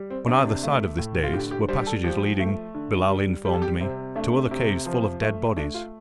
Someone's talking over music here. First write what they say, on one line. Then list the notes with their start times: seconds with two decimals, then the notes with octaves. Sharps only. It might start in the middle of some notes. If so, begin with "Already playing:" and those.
On either side of this dais were passages leading, Billali informed me, to other caves full of dead bodies.
Already playing: G3
0.10 C4
0.28 C3 D4
0.46 D4
0.63 A3
0.98 A2
1.24 F4
1.34 D3 G4
1.51 G4
1.69 G3 C5
1.82 G4
1.87 A4
2.04 F3 G4
2.40 A3
2.75 D3
3.09 G3
3.45 G3 G4
3.54 A4
3.62 G4
3.80 C3 C4
4.15 A3 D4
4.51 C3
4.86 F3
5.21 A3
5.57 A3 D4
5.74 F4